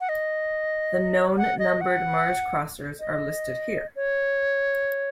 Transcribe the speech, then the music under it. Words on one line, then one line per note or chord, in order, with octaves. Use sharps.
The known numbered Mars-crossers are listed here.
F#5
D#5
F#5
D#5
F#5
D#5
C#5